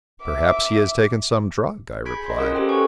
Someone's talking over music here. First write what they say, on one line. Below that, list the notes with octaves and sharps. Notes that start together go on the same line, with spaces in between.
"Perhaps he has taken some drug," I replied.
E5 D6
G#4 B5 G6 G#6 B6 D7
D#5 C6
C#4 F4 G#4 A#4 F#5 D#6
C#4 G4 A4 C5 G5
A4 B4 F#5 G#5 C#6